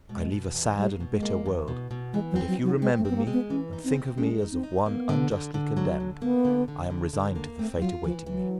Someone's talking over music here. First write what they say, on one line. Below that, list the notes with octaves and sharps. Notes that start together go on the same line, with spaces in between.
I leave a sad and bitter world; and if you remember me and think of me as of one unjustly condemned, I am resigned to the fate awaiting me.
B2 G#3
B2
E2
G3 A#3
B2
G#3
A#3
E2
B2
B2
E3 G#3
F#3
C4
F#3
F#3 D#4
G#3 C4
A3
B3 C4
A#3
G#3
B3
E3 C#4
D#4
C4
C4
G#3 C#4
D#4
C4
D#4
A#3 B3
D3
D3
D3
F#3
D3
A#3 B3
D3
D3
D3
D3
A#3
A3 C4
F3
F#3 F4
E3 F3
E3 F#3